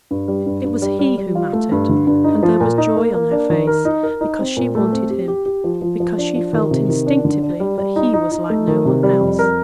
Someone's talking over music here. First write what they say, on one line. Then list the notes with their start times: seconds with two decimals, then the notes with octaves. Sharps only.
It was he who mattered and there was joy on her face because she wanted him because she felt instinctively that he was like no-one else.
0.11 G2
0.28 G3
0.46 G2
0.64 G2
0.82 G3
0.99 G3
1.17 G3
1.35 F4
1.53 A3
1.72 G2
1.89 D3
2.07 G2
2.24 D#4
2.43 F3
2.60 A#2
2.78 D#4
2.96 A#3
3.14 A#3
3.31 D4
3.50 D#3
3.67 A#4
3.85 D#4
4.03 A#4
4.21 D#4
4.39 C4
4.57 A#2
4.75 A3
4.92 C4
5.10 G4
5.28 G4
5.46 G4
5.64 F3
5.82 F3
6.00 F3
6.17 D4
6.35 F3
6.53 D#3
6.71 C3
6.89 D#3
7.07 D4
7.25 D3
7.42 D4
7.60 G3
7.78 G3
7.96 D#4
8.14 D#4
8.32 D#4
8.50 A3
8.68 D#3
8.85 C3
9.03 G3
9.21 F2
9.39 A#4